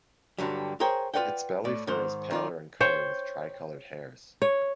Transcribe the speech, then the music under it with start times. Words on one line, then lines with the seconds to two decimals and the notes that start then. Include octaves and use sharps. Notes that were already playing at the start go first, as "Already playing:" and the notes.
Its belly fur is paler in color with tricolored hairs.
0.38 G2 D3 F#3 G3
0.80 G#4 A#4 C5 C#5 G5
1.14 F4 F#4 B4 D5 F#5 G5
1.65 A2 D5
1.87 G#2 D#3 C5
2.31 D#3 F4 D5
2.80 C5 C#5 G5
4.42 C#5